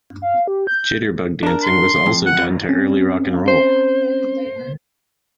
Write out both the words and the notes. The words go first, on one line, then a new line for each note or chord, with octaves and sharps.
Jitterbug dancing was also done to early rock and roll.
F5
G4
G6
D4 A#4
C6
F2
F#5
C4 C#4
C5